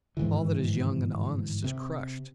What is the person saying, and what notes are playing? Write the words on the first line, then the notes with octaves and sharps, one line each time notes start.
All that is young and honest is crushed!
G1 G#2 D#3 E3
C3